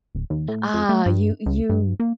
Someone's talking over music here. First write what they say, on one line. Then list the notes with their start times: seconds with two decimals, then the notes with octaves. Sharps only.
Ah, you you
0.15 D1
0.30 D#2
0.48 A2
0.74 F2
0.89 A3
1.06 G2
1.46 C#2
1.69 G2
2.00 A#3